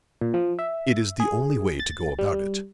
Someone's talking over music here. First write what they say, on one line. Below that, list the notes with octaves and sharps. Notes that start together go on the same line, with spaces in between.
It is the only way to go about it.
A#2
F3
E5
G#4
A6
G3